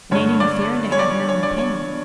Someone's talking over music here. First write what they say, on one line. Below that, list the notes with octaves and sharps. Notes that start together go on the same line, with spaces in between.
It ain't interfering to have your own opinion.
G2 D3 C#5
D5
C#5
D5
C#5
D5
C#5